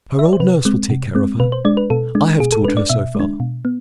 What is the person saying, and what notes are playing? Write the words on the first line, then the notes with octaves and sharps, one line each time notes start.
Her old nurse will take care of her, I have taught her, so far.
E5
D5
C5
C3 B4
G#3 C4
C3
G#3 C4
B2 B4
C5
G#3 D4 D5
B4
B2 A4
G#3 D4
B2 G#4
A4
G#3 D4 B4
D5
B2 E5
G#3 D4
B2
B3